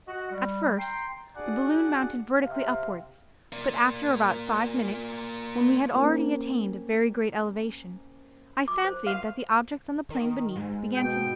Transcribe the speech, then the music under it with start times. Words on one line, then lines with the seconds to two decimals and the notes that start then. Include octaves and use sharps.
At first, the balloon mounted vertically upwards, but after about five minutes, when we had already attained a very great elevation, I fancied that the objects on the plain beneath began to move from under me.
0.08 F#4 D#5 F#5
0.31 G3
0.78 G5 A#5 C6
1.36 D4 F#4 G#4 D5 F#5
2.42 C3 F5
3.52 A#3 D5
5.94 A#3 C4 C#4
8.68 D6
8.85 C5
9.07 F5
10.10 D#3
10.56 G#2
10.96 B2 G5